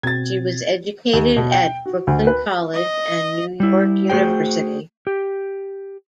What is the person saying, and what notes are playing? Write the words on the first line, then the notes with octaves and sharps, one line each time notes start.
She was educated at Brooklyn College and New York University.
B2 C4 F#4 G#6 A6
D#2
B2
G5
F#4
D2
B4
D#5
G3 E4
A3 F#4 G#4 C5 G5
G4